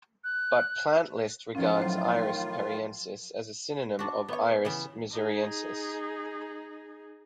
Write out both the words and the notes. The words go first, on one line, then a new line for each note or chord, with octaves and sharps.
But Plant List regards 'Iris pariensis' as a synonym of 'Iris missouriensis'.
F#6
A2 D#3 F3 C#4 F4
F#3 C5
D4 F#4
B3 C#5
C#3 E3 B3
D#4 G#4